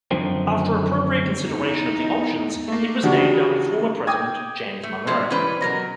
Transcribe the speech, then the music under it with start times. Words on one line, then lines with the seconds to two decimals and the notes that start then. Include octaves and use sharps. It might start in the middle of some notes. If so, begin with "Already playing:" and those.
After appropriate consideration of the options, it was named after former President James Monroe.
0.11 F#2 D3 D#3 F3 C4
1.41 E2 D#4
2.68 A3 A#3
3.03 E2 C#3 D4 F#4 G4
4.07 G5 D6 D#6 G#6
4.83 A3
5.07 B2 F3 G#3 A#3 D4
5.30 E3 G3 C#4 B4 C5
5.61 B2 F#3 A#4